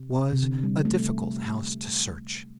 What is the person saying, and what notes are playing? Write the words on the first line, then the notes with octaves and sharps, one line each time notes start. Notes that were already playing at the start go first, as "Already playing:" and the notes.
It was a difficult house to search.
Already playing: C3
C3
D3
G3
A3